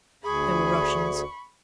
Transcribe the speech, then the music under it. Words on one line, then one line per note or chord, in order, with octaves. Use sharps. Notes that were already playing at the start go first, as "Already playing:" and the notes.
They were Russians.
D2 G#4 B5 C#6